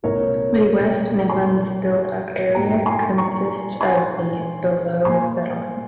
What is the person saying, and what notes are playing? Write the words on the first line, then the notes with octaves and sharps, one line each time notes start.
The West Midlands Built Up Area consists of the below settlements.
C2 A#2 G#3 A#4 C#5
G#5 C6
G#2 G3 A#3 G5 A#5
G#5 C6
A#5 C#6
G#5 C6
A#2 G3 A#3 G#5 C6